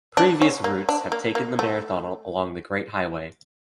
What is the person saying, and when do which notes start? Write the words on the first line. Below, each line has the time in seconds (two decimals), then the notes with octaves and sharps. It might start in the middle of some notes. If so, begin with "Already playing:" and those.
Previous routes have taken the marathon along the Great Highway.
0.17 D4
0.42 C#4
0.64 A#3
0.89 D4
1.12 A#3
1.35 A#3
1.59 A3